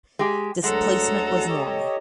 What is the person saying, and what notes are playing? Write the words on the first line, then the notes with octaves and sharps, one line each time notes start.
Displacement was normal.
G#3 G4
D2 F#3 G#3 A4 F#5 A#5
G4 C#5 D#5